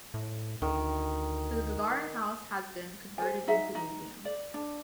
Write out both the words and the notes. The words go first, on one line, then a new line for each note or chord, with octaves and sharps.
The Gagarin house has been converted into a museum.
A2
D2 D#3
C5 G#5
D#4 G#4 E5 F#5
D#4
D5
D4